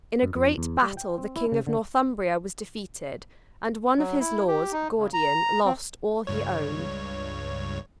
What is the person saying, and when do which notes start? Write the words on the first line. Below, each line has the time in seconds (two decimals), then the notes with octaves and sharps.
In a great battle the King of Northumbria was defeated and one of his lords, Gordian, lost all he owned.
0.23 F#2
0.35 F2
0.58 E2
0.82 G3
0.97 G5
1.18 C4
1.36 E4
1.52 C#3
1.67 D3
3.98 F#3
4.20 E4
4.48 G4
4.72 D#4
4.98 C#3
5.13 A#5
5.65 C4
6.27 C#2 G2 C#5